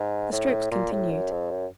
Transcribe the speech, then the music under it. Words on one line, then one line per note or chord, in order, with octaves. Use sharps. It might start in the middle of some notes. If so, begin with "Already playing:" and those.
The strokes continued.
Already playing: G#2
A2
A#2
A2
F#2
F2
F#2